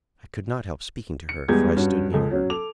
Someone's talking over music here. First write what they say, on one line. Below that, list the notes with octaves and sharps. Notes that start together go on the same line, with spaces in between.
I could not help speaking to her, for I stood near her.
C#7
E2 G3 G#3 G#4 G6 G#6
G2 C#4 F#4
C#2 G#4 A4
F#3 C#4
A4 D6 F7